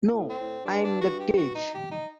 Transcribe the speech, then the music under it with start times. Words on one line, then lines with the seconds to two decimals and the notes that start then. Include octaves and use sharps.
No I'm in the Cage.
0.12 A#2
0.17 A2
0.29 C4
0.40 A2
0.65 G2 D4
0.84 D4
1.01 F#4
1.20 G4
1.37 F#4
1.55 D#4
1.74 G4
1.91 D#4